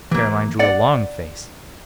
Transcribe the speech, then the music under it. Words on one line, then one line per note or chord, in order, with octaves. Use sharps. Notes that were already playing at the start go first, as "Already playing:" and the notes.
Caroline drew a long face.
E3 A#3
D5 F#5